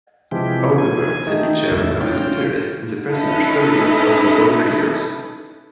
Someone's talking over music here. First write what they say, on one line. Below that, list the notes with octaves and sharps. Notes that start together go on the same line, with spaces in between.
However, they did share a common interest in the personal stories of the ballplayers.
C3 E3 F3 G#3 G4
G#5
D#3 A3 D#4
F2 G#2 B2 D#3 A3 E4
C#4 F4 G5
C#4 D#4 E4 A4 B4